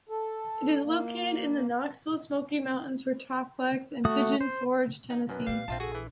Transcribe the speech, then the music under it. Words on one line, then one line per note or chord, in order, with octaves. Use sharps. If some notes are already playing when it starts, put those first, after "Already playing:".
It is located in the Knoxville-Smoky Mountains metroplex in Pigeon Forge, Tennessee.
A4
A#3
A3 F#4 D#6
C5
D#4
B1 F#2 B4
A#2 G3 B3 F5
A#1 C4 F4 E5 A5
F#4 G#4 A4
E3